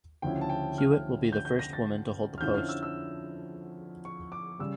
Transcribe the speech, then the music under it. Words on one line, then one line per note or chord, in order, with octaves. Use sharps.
Hewitt will be the first woman to hold the post.
D2 C#3 F3 C#4 E4 G5
A5
G5
F6
G6
G6
A#6
A6
F6
F2 D3 F3 C#4 E4 G6
F6
E6
E6
C#6
D6
C#3 G3 E6